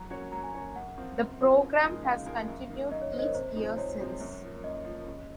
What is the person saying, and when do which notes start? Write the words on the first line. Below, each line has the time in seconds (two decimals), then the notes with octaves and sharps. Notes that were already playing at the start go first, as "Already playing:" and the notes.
The program has continued each year since.
Already playing: F#3 A#5
0.10 A#3 C#4 F#4 C#5
0.32 F#3 A#5
0.44 G#5
0.54 A#3 C#4 F#4 C#5
0.76 F#2 F#5
0.98 F3 C4 F4 A#4
1.19 F#2
1.40 F3 C4 F4 A#4
1.62 C#3
1.83 F3 G#3 D#4 A#4
2.04 C#3 F5
2.26 F3 G#3 D#4 A#4
2.48 F#2
2.70 D#3 A#3
2.91 F#2 D#5
3.02 C#5
3.13 D#3 C5
3.16 A#3 D#5
3.23 C#5
3.35 C3 C5
3.56 F3 G#3 C4 D#4
3.63 C5
3.78 C3 C#5
3.98 F3 G#3 C4 D#4
4.20 F#2
4.43 F3 A#3
4.63 F#2 D#5
4.85 F3 A#3
5.06 C#3